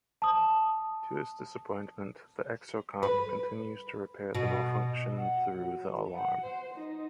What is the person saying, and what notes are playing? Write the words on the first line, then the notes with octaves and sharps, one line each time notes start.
To his disappointment, the Exocomp continues to repair the malfunction through the alarm.
A5 D#6
B4
B2
F#5
F#3
F#5
C5
D#4